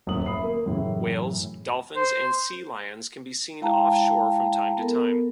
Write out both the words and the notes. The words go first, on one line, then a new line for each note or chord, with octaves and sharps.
Whales, dolphins and sea lions can be seen offshore from time to time.
D#1 F#2 A2 D#6 F#7
E5 B5 D#6 C7
A#3
F#2 A2 C#3 E3
C5
G#3 E4 F5 G5 A5 A#5
B3 A4 A#4